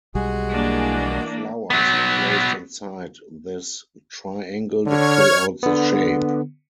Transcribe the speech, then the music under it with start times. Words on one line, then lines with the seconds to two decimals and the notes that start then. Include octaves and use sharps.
Flowers are placed inside this triangle to fill out the shape.
0.15 B1 G3 G#3 F#4 G#4
0.51 E3 A#3 D4
1.70 F#3 B3
4.86 D3 C#5 F6 G#6
5.63 D3 B3